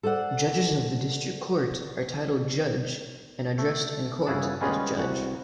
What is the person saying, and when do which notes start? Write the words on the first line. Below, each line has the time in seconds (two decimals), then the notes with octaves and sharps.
Judges of the District Court are titled "Judge" and addressed in Court as "Judge".
0.03 A4 C5 D5 F#5
3.58 A3
4.26 G1 C#3 E4 G#4 F#5 A5
4.61 G3 G#3 B3 C#4 F4 G#4
4.99 C2 F#4